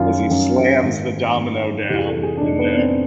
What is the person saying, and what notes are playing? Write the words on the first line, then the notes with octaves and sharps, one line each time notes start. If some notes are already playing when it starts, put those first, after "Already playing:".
as he slams the domino down in there.
Already playing: F#2 D#3 F4
F#2 D#3
G#2 D#3
G#2 D#3
F2 C3 E3 G4
G#4
A4
G#4
D4
F2 C3 E3 D#4
B3
C4